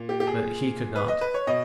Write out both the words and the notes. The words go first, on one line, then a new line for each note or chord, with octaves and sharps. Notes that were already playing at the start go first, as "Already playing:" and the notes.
But he could not.
Already playing: A#2
G4
G4
G#4
B4
D#5
B4
C#5
B2 D#5